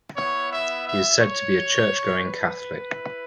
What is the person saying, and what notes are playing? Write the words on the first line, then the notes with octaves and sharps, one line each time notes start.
He is said to be a Church-going Catholic.
B3 E4 C#5
E5
E5
C#5
B4
E4